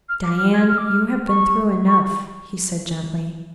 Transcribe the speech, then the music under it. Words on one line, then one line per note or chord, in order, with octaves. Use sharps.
"Diane, you have been through enough," he said gently.
F6
D6
F6
G#6
F6
D6
F6
C#6
C#6